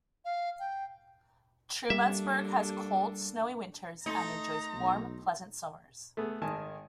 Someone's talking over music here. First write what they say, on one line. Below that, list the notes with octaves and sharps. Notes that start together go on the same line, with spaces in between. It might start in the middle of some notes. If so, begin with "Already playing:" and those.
Trumansburg has cold, snowy winters and enjoys warm, pleasant summers.
F5
G5
G3 A#3 D4 A4 E5
A3 D#4 A#5 C6 A6
B1
A3 B3 G#4
G#1 D#3 D#5 G#5 A5